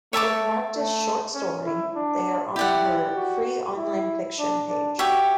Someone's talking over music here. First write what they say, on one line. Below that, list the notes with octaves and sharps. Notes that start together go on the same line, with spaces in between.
If marked as "Short story", they are on her "Free Online Fiction" page.
A3 C#5 E5 A5 D6
A3
C#4
E4
D4
E4 G4 D5 F#5
F#4
E4
D4
D4
F#4 G4 C#5 E5